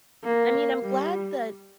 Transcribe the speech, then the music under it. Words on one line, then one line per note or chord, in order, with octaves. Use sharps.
I mean, I'm glad that
A#3
G3